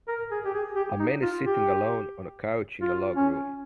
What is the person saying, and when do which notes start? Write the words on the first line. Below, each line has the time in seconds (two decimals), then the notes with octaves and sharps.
A man is sitting alone on a couch in a log room.
0.08 A#4
0.31 G#4
0.45 G4
0.54 G#4
0.76 G4
0.99 D#4
1.22 F4
1.45 G4
2.81 F4
3.16 C#4